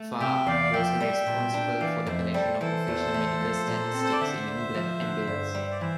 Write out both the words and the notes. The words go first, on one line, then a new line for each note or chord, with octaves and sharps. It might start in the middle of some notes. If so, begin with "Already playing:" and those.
Farr was responsible for the collection of official medical statistics in England and Wales.
Already playing: A3
C3 E5 G5
E2 D5 F5
F3 E5 G5
G3
A#2
D4
E3 D5 F5
F2 C5 E5
G3 A4 C5
E3 A4 C5
E2
A3
F3
A#2
C4
C5
D5
D3 C5 E5
D2
F3
D3
G2
G3
D5
E3 C5 E5